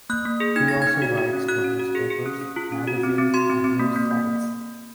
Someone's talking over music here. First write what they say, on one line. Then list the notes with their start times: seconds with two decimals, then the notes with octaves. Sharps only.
He also writes for newspapers, magazines and news sites.
0.10 A#3 F#6
0.25 A#3
0.40 G#4
0.56 D#4 G#6
0.68 D#4 A#6
0.82 G#6
0.87 D#4
1.02 F#4
1.18 F#4
1.33 C#4
1.48 F#4 F#6
1.64 C#4
1.80 F#4
1.95 G#4
2.10 G#4
2.26 C#4
2.41 C#4
2.56 F4
2.72 C#4
2.87 F#4
3.03 C4
3.18 C4
3.34 F#4 C6
3.50 C4
3.64 C4
3.79 A#3
3.96 A#3
4.11 A#3